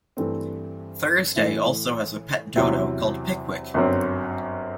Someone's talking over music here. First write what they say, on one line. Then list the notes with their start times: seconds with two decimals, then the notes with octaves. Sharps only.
Thursday also has a pet dodo called Pickwick.
0.17 G2 E3 A3 C4
1.36 A2 E3 A3 E4
2.56 E2 C3 F#3 C4 E4
3.74 G1 F#2 F#3 C4